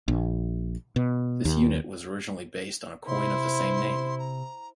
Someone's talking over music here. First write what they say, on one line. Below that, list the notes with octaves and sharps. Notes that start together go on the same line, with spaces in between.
This unit was originally based on a coin of the same name.
A#1
B2
D#2
C3 E4 C5 C6
A#5